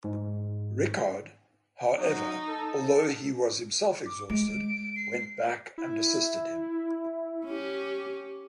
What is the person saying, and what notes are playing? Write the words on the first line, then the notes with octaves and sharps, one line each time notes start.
Rickard, however, although he was himself exhausted, went back and assisted him.
G#2
F#3 D#4
A4
D6
G#3 D7
C7
E4
C#4 G4